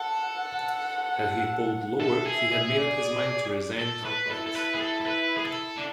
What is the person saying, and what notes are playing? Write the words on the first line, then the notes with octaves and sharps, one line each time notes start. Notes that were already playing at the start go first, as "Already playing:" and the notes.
Had he polled lower, he had made up his mind to resign outright.
Already playing: A4 F#5
A4 E5
G#4
G#4
D5
A4
B4
E4 A4
A4
B4
G#4
A4
A4
B4
G#4
A4
D4